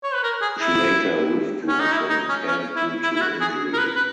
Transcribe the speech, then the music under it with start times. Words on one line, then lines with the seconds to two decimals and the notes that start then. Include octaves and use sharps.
She later withdrew from the camp due to injury.
0.03 C#5
0.14 B4
0.23 A#4
0.42 G#4
0.61 E4
1.68 C#4
1.80 D#4
1.92 E4
2.09 D#4
2.29 C#4
2.47 C#4
2.76 E4
3.03 E4
3.16 E4
3.21 F#4
3.41 G#4
3.73 A#4
3.78 B4
3.96 B4